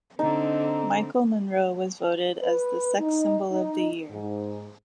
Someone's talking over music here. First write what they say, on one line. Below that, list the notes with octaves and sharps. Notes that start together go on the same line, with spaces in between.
Michael Monroe was voted as "The Sex Symbol of the Year".
D3 C4 D#4
B4
D#4
D#4
G#2